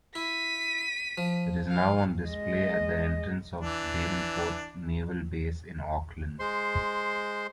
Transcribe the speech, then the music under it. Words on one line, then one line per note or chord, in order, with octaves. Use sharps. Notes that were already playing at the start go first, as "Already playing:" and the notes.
It is now on display at the entrance of Devonport Naval Base in Auckland.
E4 B6 D#7
F3
F5
G#3 D#5
E3 D4
G#3 C5 C6